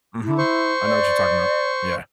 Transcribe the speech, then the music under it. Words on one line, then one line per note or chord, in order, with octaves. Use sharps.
Mhm. I know what you're talking about. Yeah.
E4
C5 C#6
D5